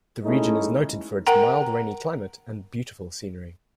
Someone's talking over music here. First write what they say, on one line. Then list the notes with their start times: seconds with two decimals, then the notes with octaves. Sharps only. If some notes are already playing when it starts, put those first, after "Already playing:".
The region is noted for its mild rainy climate and beautiful scenery.
0.24 G#3 A3 C#4 D#4 E4
1.27 A#4 F#5 G5 A#5